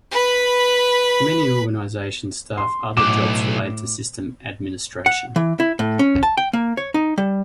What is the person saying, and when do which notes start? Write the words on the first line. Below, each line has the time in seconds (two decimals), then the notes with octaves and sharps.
Many organizations staff other jobs related to system administration.
0.11 B4 B5
2.57 C6
2.97 B1 A2 D6 E7
5.06 F#5
5.36 E3
5.60 E4
5.79 A2
5.99 C#4
6.23 A5
6.37 G5
6.53 A#3
6.77 C#5
6.94 D#4
7.18 G3